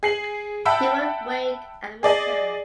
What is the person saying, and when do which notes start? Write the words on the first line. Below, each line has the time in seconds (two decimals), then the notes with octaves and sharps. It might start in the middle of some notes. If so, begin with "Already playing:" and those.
He would wake and meet her.
0.03 G#4 C7 F#7
0.65 E5 F#5 G5 A5 B5 E6
2.03 G#4 D5 D#5 G#5